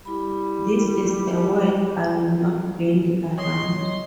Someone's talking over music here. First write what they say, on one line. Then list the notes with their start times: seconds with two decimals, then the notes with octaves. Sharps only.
This is a word I will not bandy around.
0.05 G3 E4 B5
3.38 C#5 D#5 C6